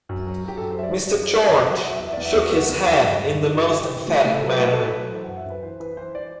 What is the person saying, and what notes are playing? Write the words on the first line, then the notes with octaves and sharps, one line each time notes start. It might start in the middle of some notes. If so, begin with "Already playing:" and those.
Mr. George shook his head in the most emphatic manner.
F#2
F#3
F#3 G4
F#2 A4
C5
F#3 D5 E5
F#3 D5
F#2 D5
C5
F#3 D5
F#2 E5
F#5
F#3 E5
F#5
F#3 E5
E2 E5
E2 D5
E5
E2 F#4
E2
E2
F#3
G2
G2
E3
G2 F#4
G4
E3
G4
E3
A2 F#4
A2 G4
A4
F#3 B4
A2 B4
F#3 A4
B4
F#3 A4
E3 C5
F#2 F#5
E5
F#2 B4
E3 C5
E3 B4
E3 C5
D5